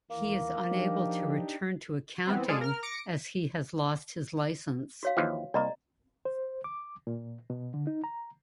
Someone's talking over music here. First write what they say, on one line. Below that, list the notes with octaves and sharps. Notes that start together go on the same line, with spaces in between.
He is unable to return to accounting as he has lost his license.
D#2 E3 A#3
F3 D4 D#4 G4
E3 B3 C4
G#3 F4 G#4 A4 D5 F5
A#4 F6
D6 A#6 C#7 D7
F#4 C#5 F5
D#2 E3 F3
C2 A#3 D5 D#5 A#5
C5
D6
A#2
B2
D3
D#4
A#5